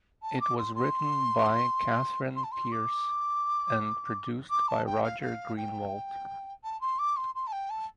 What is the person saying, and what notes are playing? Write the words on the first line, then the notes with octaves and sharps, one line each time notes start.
It was written by Catherine Pierce and produced by Roger Greenawalt.
A5
D6
C6
C6
C6
A5
C6
D6
D6
A5
G5
F5
F5
G5
A5
C6
D6
C6
C6
A5
G5
A5